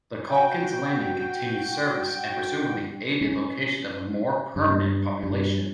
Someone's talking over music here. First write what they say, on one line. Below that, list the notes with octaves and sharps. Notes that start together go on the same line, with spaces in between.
The Calkins Landing continued service and presumedly aided location of a more permanent population.
F#4 G5
C#4
G2
G2